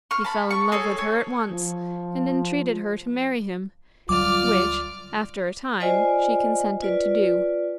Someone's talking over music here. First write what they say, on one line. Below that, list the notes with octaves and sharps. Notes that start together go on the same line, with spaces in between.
He fell in love with her at once, and entreated her to marry him, which, after a time, she consented to do.
C6 C#6 F6
A5 B5
C#6
G#4 A4 C#5
C#5
F3
D2 F#3 G3 F4 D5 D6 F6
F4 C5 D5 D#5 G#5
F4 B4 D5